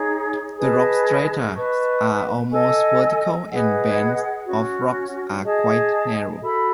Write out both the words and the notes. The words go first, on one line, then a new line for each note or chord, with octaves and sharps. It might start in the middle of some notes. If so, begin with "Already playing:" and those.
The rock strata are almost vertical, and the bands of rock are quite narrow.
Already playing: D#4 G#4 C#5
G#4 B4 D#5 A5
B4 D#5 A5 C#6
A4 D#5 G#5
G#4 B4 D#5 F#5
C#4 F#4 C#5
G#4 D#5 A5
F#4 A4 E5 B5